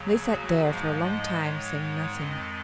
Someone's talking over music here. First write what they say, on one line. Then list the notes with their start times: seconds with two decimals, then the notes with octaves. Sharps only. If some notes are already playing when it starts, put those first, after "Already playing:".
They sat there for a long time, saying nothing.
Already playing: D#2 C#3 F#3
0.27 F#4
0.65 G#2 F3 G#3 F5
1.03 D#5
1.41 G#2 D#3 G#3 C#5
1.79 C#5
2.17 F2 D#3 G#3 D#5